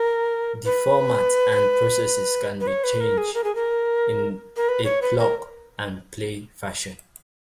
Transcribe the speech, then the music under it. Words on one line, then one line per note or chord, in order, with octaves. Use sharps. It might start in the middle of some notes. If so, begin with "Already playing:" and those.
The formats and processes can be changed in a plug and play fashion.
Already playing: A#4
B4
B4
C#5
B4
A#4
G#4
A#4
G#4
A#4
A#4
B4
C#5
B4
A#4